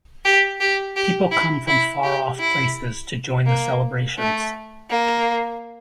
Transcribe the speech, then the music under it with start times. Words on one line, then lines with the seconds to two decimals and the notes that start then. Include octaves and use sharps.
People come from far off places to join the celebrations.
0.25 G4
0.60 G4
0.96 G4
1.31 E4
1.67 E4
2.03 G4
2.40 E4
3.46 A#3
4.19 A3
4.91 A#3